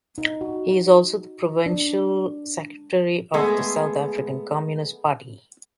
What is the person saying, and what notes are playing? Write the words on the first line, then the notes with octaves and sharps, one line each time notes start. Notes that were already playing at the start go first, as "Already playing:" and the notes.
He is also the provincial secretary of the South African Communist Party.
D#4
F#4
D4
G#3 A3 B3 G#4